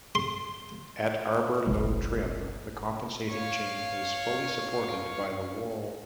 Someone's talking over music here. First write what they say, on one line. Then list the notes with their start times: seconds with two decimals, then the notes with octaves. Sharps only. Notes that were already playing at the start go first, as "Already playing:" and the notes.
At arbor low trim, the compensating chain is fully supported by the wall.
0.15 C6
1.67 F#1 B1 C#3 G#3
3.30 C#5 F5